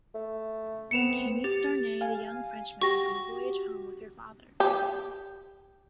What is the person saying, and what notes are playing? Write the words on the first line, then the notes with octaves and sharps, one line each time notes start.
She meets Darnay, the young Frenchman, on the voyage home with her father.
A3
B3 C4 C#7 E7 F7
G4 A6
F5 G#5
F#4 G4 C#6 A#6
G4